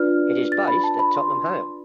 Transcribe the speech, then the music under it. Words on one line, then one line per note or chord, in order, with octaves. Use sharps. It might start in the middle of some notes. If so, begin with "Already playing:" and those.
It is based at Tottenham Hale.
Already playing: D4 F4 B4 D5 F6
A6
B5
A5
B5
C6